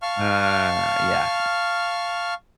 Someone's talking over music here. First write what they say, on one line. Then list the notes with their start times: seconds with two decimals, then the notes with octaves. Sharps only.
Uh, yeah.
0.02 F5 A5 C#6 F6